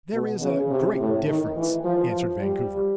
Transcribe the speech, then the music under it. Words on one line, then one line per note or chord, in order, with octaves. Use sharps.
"There is a great difference," answered Vancouver.
B2
C#3
C3
A2
D#3
E3
F3
F3
G3